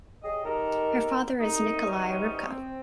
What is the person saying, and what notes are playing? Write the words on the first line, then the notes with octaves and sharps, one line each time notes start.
Her father is Nikolay Rybka.
G4 G#4 C#5 D#5
D#3 D#4 G4 A4 A#4
C2 D#4
E3 F#3 G3 C4 C#4 D#4
C4